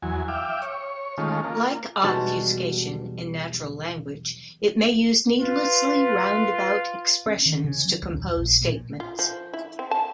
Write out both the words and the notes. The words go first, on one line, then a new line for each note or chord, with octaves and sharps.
Like obfuscation in natural language, it may use needlessly roundabout expressions to compose statements.
E2 F#3 G#5
E5 F5 G5 D6
C#5
D#3 G#3 A3 C#4 F4
A#3 F4
B1 E2 G3 G#3 F#4 A5
F4 B4
C#4
D#3
C#3
F#3
C#2
D#1
A#1
A#2
F4
F3
E4
C4
A5